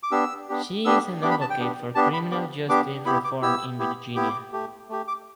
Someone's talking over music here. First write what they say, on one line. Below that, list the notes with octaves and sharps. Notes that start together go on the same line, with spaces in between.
She is an advocate for criminal justice reform in Virginia.
D6
B3 D4 G4 E6
B3 D4 G4
B3 D4 G4 E6
B3 D4 G4 D6
B5
A5
G5
B3 D4 G4
B3 D4 G4 A5
B5
B3 D4 G4 D6
B3 D4 G4 D6
B3 E4 G4 B5
D6
B3 E4 G4 E6
B3 E4 G4
B3 E4 G4 D6
A3 G4
A3 G4
D6